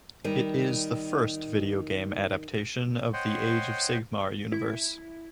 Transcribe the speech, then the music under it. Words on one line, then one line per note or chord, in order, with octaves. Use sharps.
It is the first video game adaptation of the "Age of Sigmar" universe.
D#3 G3
C5 C#5 D#5 F#5 G5 C6
E4